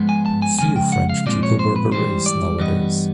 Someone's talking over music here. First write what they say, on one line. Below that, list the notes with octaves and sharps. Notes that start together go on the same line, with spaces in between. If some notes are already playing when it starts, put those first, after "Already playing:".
Few French people wear berets nowadays.
Already playing: G#2 F3 G#3 B3
G#5
A5
G#5
E2 C#3 F3 G#3 G#5
G5
F#5
F5
A#2 F3 G#3 C4 D5
C#5
C5
B4
G#2 E3 G3 C5
D5
G2 E3 G3 B3 D#5